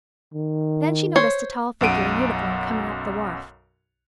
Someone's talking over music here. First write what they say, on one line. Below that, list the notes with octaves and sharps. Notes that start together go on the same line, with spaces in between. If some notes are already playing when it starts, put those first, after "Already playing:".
Then she noticed a tall figure in uniform coming up the wharf.
D#3
C5 C#5
B1 F#2 F#5 D7 D#7